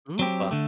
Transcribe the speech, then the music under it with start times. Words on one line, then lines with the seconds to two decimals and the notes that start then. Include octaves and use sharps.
Ooh, fun.
0.19 F#3 C4 G4
0.51 D3 A3